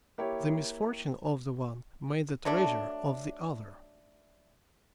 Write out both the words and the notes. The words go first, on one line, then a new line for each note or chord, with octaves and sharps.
The misfortune of the one made the treasure of the other.
A#3 E4 G4 C#5
F#3 A3 D4